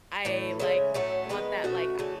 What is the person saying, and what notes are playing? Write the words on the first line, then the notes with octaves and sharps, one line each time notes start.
I, like, want that, like, a
A2 E3
C#3 G#3 C#4 E5
A2 F#3 A3 C#4
D#3 G#3 B3 B4
B2 A3 C#4 F#4
C#3 E3 A3